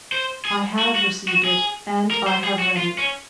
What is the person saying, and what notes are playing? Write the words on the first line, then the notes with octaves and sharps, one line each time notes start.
"I have received it, and I have read it."
C5
G#4
F#4
F#4
F#4
G#4
A#4
C5
G#4
F#4
F4
C#4